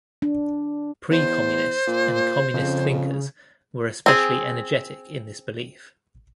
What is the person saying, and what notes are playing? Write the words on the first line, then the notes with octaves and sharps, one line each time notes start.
Pre-Communist and Communist thinkers were especially energetic in this belief.
D4
E2 C5
A#2
F2 C#3
C4 G#4